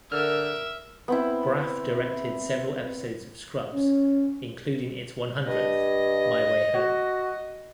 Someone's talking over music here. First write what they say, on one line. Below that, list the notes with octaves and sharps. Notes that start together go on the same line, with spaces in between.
Braff directed several episodes of "Scrubs", including its one-hundredth, "My Way Home".
D3 A#4 E5 F6
B3 C4 E4
C#4
G2 D#5
F#4